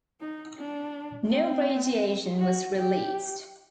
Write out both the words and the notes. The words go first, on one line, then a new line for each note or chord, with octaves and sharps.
No radiation was released.
D#4
D4
C4
F#4
G4